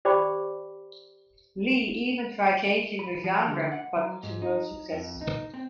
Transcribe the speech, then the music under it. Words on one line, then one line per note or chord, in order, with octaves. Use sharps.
Lee even tried changing her genre, but to no success.
G4 C5 D5 G5 B5 D6
B5
F3
D3
F#5
F#3
G#2
D#4
F2
D#4
C4